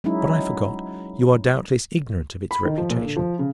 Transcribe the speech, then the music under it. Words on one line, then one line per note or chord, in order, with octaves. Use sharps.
But I forgot; you are doubtless ignorant of its reputation.
F#3 G#3 C#4 D#4 E4
B5
D#3
F3
A#2
D3
F3
C#3